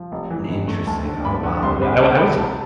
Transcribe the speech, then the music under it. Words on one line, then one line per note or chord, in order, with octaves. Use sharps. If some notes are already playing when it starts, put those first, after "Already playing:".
Interesting. Oh wow. Yeah, I wi I wish
Already playing: F3
F1
E3
F1
A3
D2 A5
D3
D2 B5
D3
C2 C6
C2 B5
A3 A5
C2 B5
C3 A5